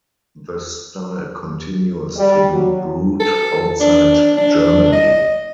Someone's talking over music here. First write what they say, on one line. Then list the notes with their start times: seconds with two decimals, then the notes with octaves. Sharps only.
The style continues to be brewed outside Germany.
2.17 G3
2.52 F#3
3.20 A4
3.80 D4
4.37 D4
4.92 D#5